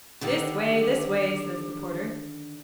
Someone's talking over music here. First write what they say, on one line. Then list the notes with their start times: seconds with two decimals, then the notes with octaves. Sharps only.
'This way, this way,' says the porter.
0.21 D3 D#3 G4 F#5